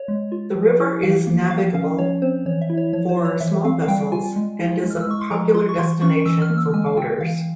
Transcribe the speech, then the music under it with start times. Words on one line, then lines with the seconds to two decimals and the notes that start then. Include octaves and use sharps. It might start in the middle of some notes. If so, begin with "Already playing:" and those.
The river is navigable for small vessels and is a popular destination for boaters.
Already playing: C#5
0.08 G#3
0.32 F4
0.55 F3
0.80 E4
1.03 E3 F5
1.27 A#3
1.51 F3 F5
1.74 C#4 F5
1.98 F3 C#5
2.22 C4 C5
2.46 E3 C#5
2.61 E5
2.70 E4
2.77 C#5
2.93 F3 C#5
3.09 C5
3.17 F4
3.25 C#5
3.40 E3 E5
3.64 C4 F5
3.82 F5
3.88 G3 G5
4.12 F4 G#5
4.36 G#3
4.59 E4
4.83 G#3
4.91 F6
5.01 E6
5.07 G#3 C#6
5.21 C6
5.31 F3 A#5
5.54 F4 C6
5.69 C#6
5.78 E3 C6
6.02 C#4 C#6
6.26 E3 E6
6.42 F6
6.50 A#3
6.58 E6
6.73 G#3 G#5
6.86 F5
6.97 F4 G5
7.21 E3 F5